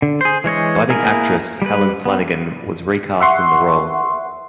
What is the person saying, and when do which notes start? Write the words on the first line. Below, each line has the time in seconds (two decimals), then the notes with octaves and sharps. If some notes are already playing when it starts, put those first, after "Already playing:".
"Budding actress" Helen Flanagan was recast in the role.
0.02 D3
0.21 G#4 C5
0.44 E3 G#3 C#5 D#5
0.89 A#3 E4 G#4 A#4
1.62 G3 B4
2.06 B3
3.20 E5 F#5 C6 C#6